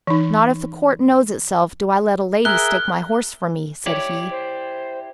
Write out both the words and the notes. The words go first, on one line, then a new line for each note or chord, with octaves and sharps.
"Not if the court knows itself do I let a lady stake my horse for me," said he.
E3 D#4
G#4 A#4 E5 F#6 G7
E4 G4 C#5 D5
C5